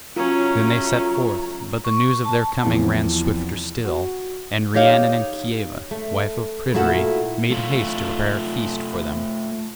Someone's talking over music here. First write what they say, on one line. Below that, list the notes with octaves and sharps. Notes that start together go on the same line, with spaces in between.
Then they set forth, but the news of their coming ran swifter still, and Rhiannon and Kieva, wife of Pryderi, made haste to prepare a feast for them.
C#3 F#3 A3 C#4 F4 A#5
C#6
A5
E2 C3 E3 F3
F#4
D#4 G4 C#5 D#5 F5
A3
A#2 A3 E4 F#4 A4 F#5
A3 F4